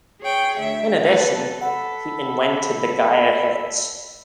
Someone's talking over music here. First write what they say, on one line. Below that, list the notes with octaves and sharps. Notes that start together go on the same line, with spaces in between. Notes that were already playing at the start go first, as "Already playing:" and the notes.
In addition, he invented the Geier Hitch.
G#4 C#5 G5
D2 E5
A4 B4
A4 F#5 B5